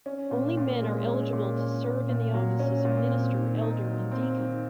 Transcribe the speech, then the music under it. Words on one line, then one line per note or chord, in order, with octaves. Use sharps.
Only men are eligible to serve in the offices of minister, elder, and deacon.
C#4
A#2
A#2
G#3
C#4
A#2
C#4
A#2
A#2
F#3
C#4
A#2
C4
D#3
D#4
F#3
C4
D#3